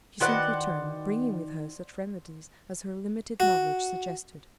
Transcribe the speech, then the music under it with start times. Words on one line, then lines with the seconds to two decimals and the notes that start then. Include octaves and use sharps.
She soon returned, bringing with her such remedies as her limited knowledge suggested.
0.20 D#3 F#4 B4 C5 D5 F#5
3.40 F#4